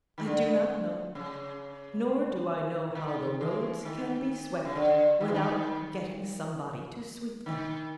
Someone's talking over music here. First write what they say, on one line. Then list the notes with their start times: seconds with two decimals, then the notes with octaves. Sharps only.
I do not know; nor do I know how the roads can be swept without getting somebody to sweep them.
0.18 D#3
0.25 D3
1.15 C#3
2.95 D#3
3.41 E3
3.85 D#3
4.65 C#3
4.75 D3
5.21 D#3
5.28 E3
5.34 D#3
7.46 D#3